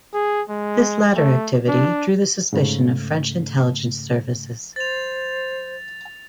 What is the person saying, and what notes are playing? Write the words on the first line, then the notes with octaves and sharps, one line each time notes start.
This latter activity drew the suspicion of French intelligence services.
G#4
G#3
A3
D4
G#2 C#3 A3
C5 A6 F7